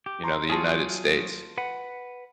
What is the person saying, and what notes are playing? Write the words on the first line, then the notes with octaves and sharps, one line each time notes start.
you know, t he United States.
G4
A#5 C6
F#3 F4 G#4 A5 C6
B4 F#5